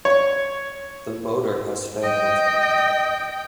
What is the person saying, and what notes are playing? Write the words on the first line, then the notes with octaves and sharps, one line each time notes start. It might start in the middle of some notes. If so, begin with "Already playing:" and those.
The motor has failed.
C#5
D#5 G5